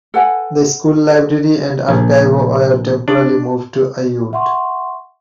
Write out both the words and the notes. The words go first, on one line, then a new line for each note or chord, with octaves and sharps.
The school library and archive were temporarily moved to Aiud.
A4 B4 F#5 G#5
A#1
D4
E5 F#5 C6 C#6